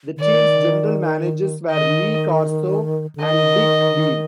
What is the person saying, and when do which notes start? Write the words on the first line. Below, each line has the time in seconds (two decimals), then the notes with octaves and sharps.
The team's general managers were Lee Corso and Dick Beam.
0.16 D3
0.21 D#3 D5
1.71 D#3 D#5
3.16 D3
3.22 D#3 D#5